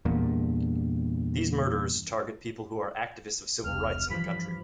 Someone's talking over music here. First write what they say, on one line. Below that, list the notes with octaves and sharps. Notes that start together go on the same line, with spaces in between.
These murders target people who are activists of civil rights in the country.
E2 G2 A#2
E1 C2 F6
G2 E3 F3 B5